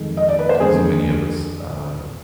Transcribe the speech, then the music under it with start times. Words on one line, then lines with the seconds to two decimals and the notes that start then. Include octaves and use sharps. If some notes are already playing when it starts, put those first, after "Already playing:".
so many of us uh,
Already playing: F2 D#3 G#3
0.17 D#5
0.28 D5
0.39 B4
0.49 C5
0.60 F2 D3 G#3 G#4